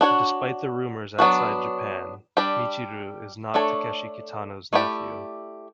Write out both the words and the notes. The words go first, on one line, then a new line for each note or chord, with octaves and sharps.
Despite the rumours outside Japan, Michiru is not Takeshi Kitano's nephew.
D4 F#4 C#5
F#3 B3 D4 F#4
G3 D4 G4 D5
A3 D4 A4 C#5
A3 E4 G4 D5